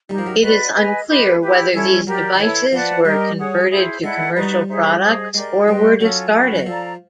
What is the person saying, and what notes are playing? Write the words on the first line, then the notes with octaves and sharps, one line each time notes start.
It is unclear whether these devices were converted to commercial products or were discarded.
G3 D#4 G4 A#4
F3
F#3
G#3 F#4 B4 D5
B4 D#5 G#5
G4 B4 D#5
E4 G4 B4
G3 C#4 E4 A4 C#5
F#3 G4 A#4 D5
D#3
E3 E4 A4 C#5
F3 B4 D5 F#5 A5
G3 G4 A#4 D#5
G#4 C#5 F#5
E4 G#4 C5
G#3 E4 A4 D5 F#5
G3 D#4 F#4 B4 D5
D#4 G#4 C5 E5
G#4 C5 D#5
G#3 G4 A#4 D5
G3 B4 D#5 G5 C6
F#3 C#4 F4 A4 C#5
C#4 F#4 B4
F#3
F3 A4 D5 F5 A#5